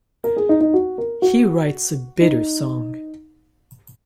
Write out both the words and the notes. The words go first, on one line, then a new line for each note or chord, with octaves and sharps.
He writes a bitter song.
A#4
G#4
D#4
D#4
F#4
A#4
F#4
D#4